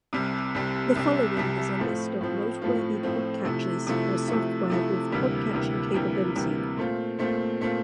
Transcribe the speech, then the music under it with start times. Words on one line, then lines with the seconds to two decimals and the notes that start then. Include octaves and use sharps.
The following is a list of noteworthy podcatchers or software with podcatching capability.
0.13 C2 C3 G3
0.54 C2 C3 G3
0.95 C2 C3 G3
1.37 C2 C3 G3
1.79 A2 F3 A3 C4 F4
2.21 A2 F3 A3 C4 F4
2.62 A2 F3 A3 C4 F4
3.03 A2 F3 A3 C4 F4
3.45 C3 F3 A3 E4
3.87 C3 F3 A3 E4
4.28 C3 F3 A3 E4
4.70 C3 F3 A3 E4
5.11 D2 C3 E3 G3 A#3
5.53 D2 C3 E3 G3 A#3
5.94 D2 C3 E3 G3 A#3
6.36 D2 C3 E3 G3 A#3
6.77 A#2 A3 C4 F4
7.19 A#2 A3 C4 F4
7.61 A#2 A3 C4 F4